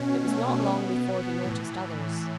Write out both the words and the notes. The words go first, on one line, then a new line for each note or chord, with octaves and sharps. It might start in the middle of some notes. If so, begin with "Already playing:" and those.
It was not long before he noticed others.
Already playing: B2 C#4
A3
B2 B3
A2 E3